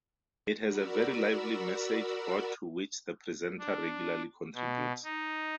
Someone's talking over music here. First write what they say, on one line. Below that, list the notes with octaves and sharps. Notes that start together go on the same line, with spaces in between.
It has a very lively message board to which the presenter regularly contributes.
F#4 A#4 D5 B5 E6
D4
B2
D#4